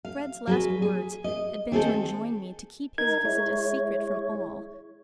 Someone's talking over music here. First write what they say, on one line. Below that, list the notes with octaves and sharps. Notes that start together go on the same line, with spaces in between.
Fred's last words had been to enjoin me to keep his visit a secret from all.
F5
F#3 G#4 B4
G#4
D#5
D#3 C4 G#4 A4
D#4 A#4 G#6
G#3 E4 C#5